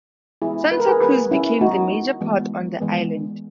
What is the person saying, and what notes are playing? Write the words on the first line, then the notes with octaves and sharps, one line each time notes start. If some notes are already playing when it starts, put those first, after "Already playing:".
Santa Cruz became the major port on the Island.
E3 G#3 B3 E4 G#4
B4
A#4
G#4 B4
E3 G#3 B3 G#4 B4
C#4 E4
E3 G#3 B3 D#4 F#4
E3 G#3 B3
E3 G#3 B3